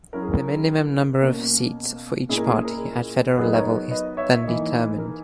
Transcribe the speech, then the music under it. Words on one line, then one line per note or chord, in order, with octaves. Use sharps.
The minimum number of seats for each party at federal level is then determined.
F#3 C#4 E4 A#4
G#4
A#4
B2 A#3 C#4
A#2 G#3 C#4 E4 G#4
A#4
G#4
A#4
F#3 B3 D#4 G#4 B4
A#4 C#5
B4 D#5
C#5 E5
E3 A#3 D#4
A#4